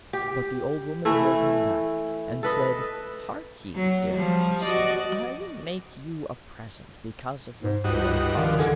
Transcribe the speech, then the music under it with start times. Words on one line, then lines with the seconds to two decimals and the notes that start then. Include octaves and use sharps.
But the Old Woman held him back, and said: 'Hark ye, dear Huntsman, I will make you a present because of your good heart.
0.13 G4
1.05 E3 A3 E4
2.43 A4 B4 D#5
3.75 F#3
4.14 F3 G3
4.63 F#4 D5 D#5
7.62 G#2
7.84 C#2 G2 D#4 F#4
8.37 D3 D#3 F3
8.58 D#2 D3 G#4